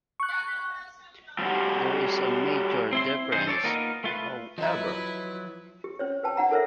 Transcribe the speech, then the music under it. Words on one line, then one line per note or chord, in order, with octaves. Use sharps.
There is a major difference, however.
C#6 F#6
F3 G3
C4 E4 C6
C2 E3 D#4 G#4 C5
A4 C#5 D5
A#3 B3 D#4 F4 A#4
A3 F4 B4
F3 F#3 E4 B4 D#5 E5 A#5
G4
C#4 C5 C#5
B4 G5 A5
D4 F#5 A#5
A4 A#4 C5 C#5 E5